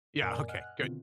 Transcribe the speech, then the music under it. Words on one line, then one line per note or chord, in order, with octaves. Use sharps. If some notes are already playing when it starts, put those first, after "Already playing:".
Yeah, okay, good.
F#2 A#2 A#4 D5 G#5
D#5 F#5 G#5 F6 F#6
B2 D3 D#3 C4 F4